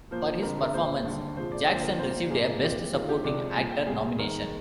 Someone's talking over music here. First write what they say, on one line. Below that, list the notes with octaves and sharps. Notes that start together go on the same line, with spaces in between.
For his performance, Jackson received a Best Supporting Actor nomination.
A#2 F3 A#3 C5
F2 D3 G#3 A#4
A#4
A#2 G#3 C5
D#2 D3 G3
C2 A#2 F3 G#3 C5
D5
D#2 D3 F3 A#3 C5
A#4
A#2 G3 A#3 C5
G#2 F3 A#3 G#4
C2 A#2 G#3 G4
D#2 D#3 G#3 F4
G4
C2 C3 F3 G#3 D5
A#2 G3 A#3 G#5
G5
C2 C3 G3 G#4
D#2 D#3 G#3 A#4